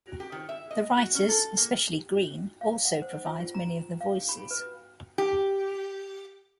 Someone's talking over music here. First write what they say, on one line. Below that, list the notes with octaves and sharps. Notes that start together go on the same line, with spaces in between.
The writers, especially Green, also provide many of the voices.
G4
D#3
E5
D#5
F#4
C#4
A4
A#3
F5
F#5
C5
F4
F4
A#5
F5
B5
B4
G4